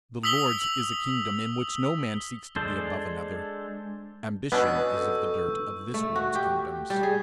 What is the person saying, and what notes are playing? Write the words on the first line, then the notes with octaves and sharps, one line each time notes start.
The Lord's is a kingdom in which no man seeks to be above another: ambition is of the dirt of this world's kingdoms.
D#6 E6 B6 F#7 G7
G#3 D4 A4 C5
B2 B3 C#4 D4 C#6 E6 G6
A4
A3
F#4
G4
G3
G#4